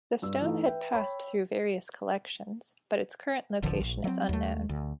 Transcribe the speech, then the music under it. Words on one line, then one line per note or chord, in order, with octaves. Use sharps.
The stone had passed through various collections, but its current location is unknown.
G2 E6
E3 A3 D#4
B4 E5 G5
C#5 G5 B5
E1 A1 D3 F3
A#1
F#3 C4
D#2 A3
D2